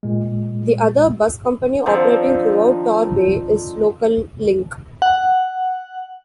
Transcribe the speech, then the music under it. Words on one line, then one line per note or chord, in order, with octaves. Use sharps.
The other bus company operating throughout Torbay is Local Link.
A#2 G#3
D3 D#3 F3 C4
F#5